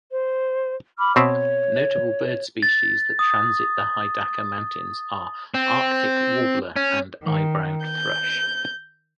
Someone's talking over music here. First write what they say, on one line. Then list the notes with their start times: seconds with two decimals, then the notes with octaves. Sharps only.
Notable bird species that transit the Hidaka mountains are Arctic warbler and eyebrowed thrush.
0.11 C5
0.98 B5 D6 F6
1.16 B2 C4 C#5 E5
2.63 A6
3.19 D#6
5.54 C4
6.76 C#4
7.23 D#3
7.84 G6